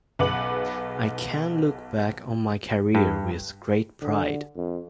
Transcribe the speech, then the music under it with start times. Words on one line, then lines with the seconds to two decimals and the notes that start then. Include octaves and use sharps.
I can look back on my career with great pride.
0.19 B1 G#4 B4 F#5 D6 F#7
2.95 G2
4.02 D3
4.57 F2